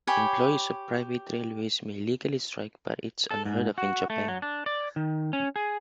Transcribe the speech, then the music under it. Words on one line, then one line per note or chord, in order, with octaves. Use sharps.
Employees of private railways may legally strike but its unheard of in Japan.
G4 C#5 G#5 B5
A4
G#2
F#4
A3
F#3
D4
D5
D#3
C#4
G#4